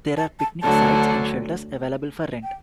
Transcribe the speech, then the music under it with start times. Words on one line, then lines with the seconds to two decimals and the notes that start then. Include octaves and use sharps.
There are picnic sites and shelters available for rent.
0.17 A5
0.40 A5
0.62 D2 D3 F#3 A5
2.43 G5